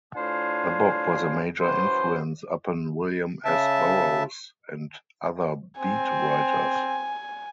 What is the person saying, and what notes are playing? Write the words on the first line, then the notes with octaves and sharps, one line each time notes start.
The book was a major influence upon William S. Burroughs and other Beat writers.
A2 D4 F4 C5 F5 G#5
E3 C#4 F#4 C5
C#3 E5 A5
C4 G#5